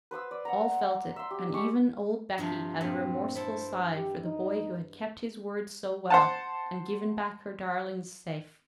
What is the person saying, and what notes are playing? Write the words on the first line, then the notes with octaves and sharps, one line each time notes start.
All felt it, and even old Becky had a remorseful sigh for the boy who had kept his word so well and given back her darlings safe.
B4 C5 D#6 E6
D5
F#5 A#5
E5 C6
G4
G#3 G4 C#6
G2 C3 F3 F4
G2 A#2 C4
E4 A4 C5
G4
D#4
C5 F#5 A5